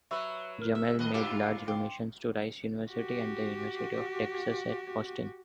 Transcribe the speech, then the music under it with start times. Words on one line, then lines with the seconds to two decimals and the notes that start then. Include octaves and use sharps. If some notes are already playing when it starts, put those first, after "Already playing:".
Jamail made large donations to Rice University and The University of Texas at Austin.
0.11 F#3 B4 C#5 E5 B5 E6
0.60 A#4 F6
0.75 E5
0.99 D#2 A2 B4 D#5
1.14 G2 A#2 E4 F4 G4 E5 D6
1.68 G5 C6 D6
2.89 F#4 G4